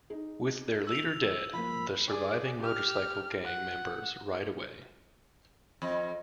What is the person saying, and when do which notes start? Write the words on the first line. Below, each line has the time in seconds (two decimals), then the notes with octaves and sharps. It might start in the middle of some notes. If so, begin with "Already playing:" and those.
With their leader dead, the surviving motorcycle gang members ride away.
0.10 D#4 G#4
0.87 E6 F7
1.53 F3 A#3 B5
2.07 G#4 D5
2.60 G4 F6
3.44 F#5
5.82 F2 D#5